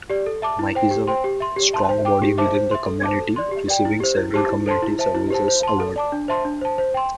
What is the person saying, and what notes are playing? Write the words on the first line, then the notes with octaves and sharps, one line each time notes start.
Mike is a strong body within the community receiving several community service awards.
G4 D5
A4
E5 A5 D6
E4
C5 G5
G4
C5 G5 C6
G4
E5 C6
G4
E5 A5 C6
C5
G5 D6
G4
C5 E5 A5 D6
C5
E5 C6
A4
C5 A5 D6
A4
D5 C6
G4
D5 G5
E4
G4 C5
E4
G4 C5 A5 D6
E4
A4 C5 A5 C6
E4
C5 E5 A5
E4
G4 C5 A5
C5
A5 C6
A4
D5 A5 D6
D4
C5 E5 A5 C6
D4
C5 A5
C5
G5 C6